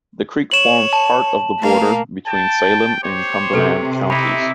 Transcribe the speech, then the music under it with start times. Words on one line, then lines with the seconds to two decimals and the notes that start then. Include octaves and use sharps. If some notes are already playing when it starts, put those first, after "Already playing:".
The creek forms part of the border between Salem and Cumberland Counties.
0.51 C#5 E7 F#7
0.93 A5
1.59 A3 A#3 F5
2.27 G5 A5
3.03 G4 C5 C#5
3.53 C3 A4 B4
4.10 D#4 E4 E5 B5 D6